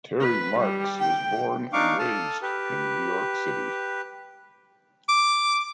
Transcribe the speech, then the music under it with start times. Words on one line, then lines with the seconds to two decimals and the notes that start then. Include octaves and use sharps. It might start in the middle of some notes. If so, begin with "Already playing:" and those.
Terry Marks was born and raised in New York City.
0.21 B4
0.60 G3
1.00 G5
1.73 D4 D#4 F5 C#6 D6
1.99 A4 A5 D#6 F6
2.42 G4 B4
5.09 D6